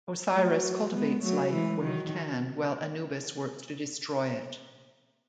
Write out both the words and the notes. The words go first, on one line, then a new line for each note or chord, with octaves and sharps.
Osiris cultivates life where he can, while Anubis works to destroy it.
F#3 A3
G#3 B3
F#3 A3
E3 G#3
D#3 F#3